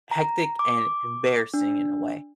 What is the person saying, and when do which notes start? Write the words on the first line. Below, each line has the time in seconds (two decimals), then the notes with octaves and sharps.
hectic and embarrassing in a way.
0.11 A#5
0.59 D6
1.54 D4